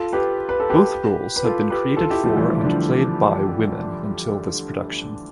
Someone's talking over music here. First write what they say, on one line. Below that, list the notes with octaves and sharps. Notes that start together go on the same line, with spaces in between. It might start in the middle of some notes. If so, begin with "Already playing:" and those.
Both roles had been created for and played by women until this production.
Already playing: F4 A4
G4 B4
B4
A4
G4 B4
B4
F4 A4
G4 B4
F4 A4
E4 G4
F3 A3
E3 G3
F3
E3
D3 F3